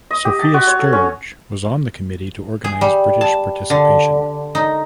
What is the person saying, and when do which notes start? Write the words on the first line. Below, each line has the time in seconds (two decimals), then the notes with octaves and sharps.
Sophia Sturge was on the Committee to organize British participation.
0.11 D#5
0.25 G4
0.39 A5
0.54 F#4
0.67 C#5
0.79 A4
0.93 C#4
2.64 G#4
2.81 G3
3.21 A5
3.70 D3
4.55 D#4